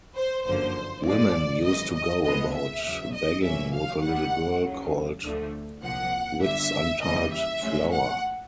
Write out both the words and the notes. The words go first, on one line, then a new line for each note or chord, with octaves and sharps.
Women used to go about begging with a little girl called Whitsuntide Flower.
C5
G1 F#2 D3 F3 A#3 C5
G#2 F3 G#3 D5
G#1 F#2 C#3 E3 D#5
D#5
C#2 C3 F3 G#3 B3 D#5
E5
E2 C#3 F#3
D#5
A#2 F#3 A#3 C#4 E5
F5
D#2 D#3 G3 F#5
C#2 C#3 F#3
D2 D3 F3 A3
C2 A#2 F3 F#5
G1 G2 D3 E5
D#2 C#3 E3 G3 D#5
E5
A2 F3 G#3 C#4
F#5